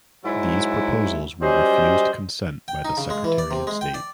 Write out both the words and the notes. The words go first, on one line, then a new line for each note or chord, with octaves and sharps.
These proposals were refused consent by the Secretary of State.
G#2 F#3 E4
F#3 G3 C#4 C5 D#5
G5
D#4
C#3
G#3
E3
D5
C3
G#3
G5
D5